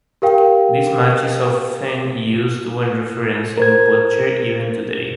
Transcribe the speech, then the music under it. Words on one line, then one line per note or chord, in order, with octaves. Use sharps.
This match is often used when referencing Butcher even today.
G4 A#4 F5 G5
A#4 C5 G#6